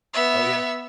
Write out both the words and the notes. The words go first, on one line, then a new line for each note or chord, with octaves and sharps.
Oh, yeah.
B3 E5